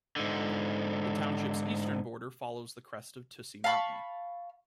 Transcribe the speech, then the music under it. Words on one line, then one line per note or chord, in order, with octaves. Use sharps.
The township's eastern border follows the crest of Tussey Mountain.
G#2 D3
F5 A5 B5 C#6